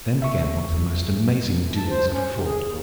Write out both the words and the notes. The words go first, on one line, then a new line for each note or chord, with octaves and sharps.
Then began one of the most amazing duels ever fought.
A#2 E5 C#6
F#2
E3
A5
C5
C#4
C3
G#4
D#2